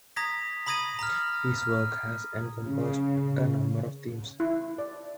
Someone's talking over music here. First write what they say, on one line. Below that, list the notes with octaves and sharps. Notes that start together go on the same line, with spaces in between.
His work has encompassed a number of themes.
A#5 D#6 G#6 A#6 B6
A#5 B5 D#6 G#6 A#6 D#7
A#5 F6
F6
C#3
E4
D5